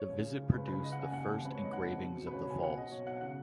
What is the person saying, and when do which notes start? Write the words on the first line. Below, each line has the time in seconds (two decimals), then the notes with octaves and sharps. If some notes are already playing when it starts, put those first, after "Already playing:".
The visit produced the first engravings of the falls.
Already playing: C#5
0.09 C#2
0.22 C#3
0.38 C#3
0.52 C#2 B4
0.67 C#2 B4
0.83 C#3 D#5
0.92 F#5
0.98 C#3 G#5
1.12 D#2 F#5
1.28 D#2
1.42 G#1 B4
1.54 G#2 C#5
1.63 D#5
1.72 D#3 F#5
1.86 G#1
2.01 B2
2.17 B2
2.26 B4
2.31 C#2 C#5
2.46 C#2 G#5
2.62 B2 F#5
2.76 B2 D#5
2.91 B1 C#5
3.06 B1 F#5
3.21 C#3 F#5